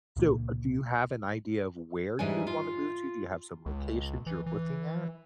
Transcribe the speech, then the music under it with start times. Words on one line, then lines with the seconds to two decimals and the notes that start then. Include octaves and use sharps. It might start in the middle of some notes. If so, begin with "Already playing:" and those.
So, do you have an idea of where you'd wanna move to? Do you have some locations you're looking at?
0.17 C#2 A#2 A#3
2.19 G#2 E3 G3 D4 G#5
2.47 F4
3.66 C#2
4.27 E3
4.46 E3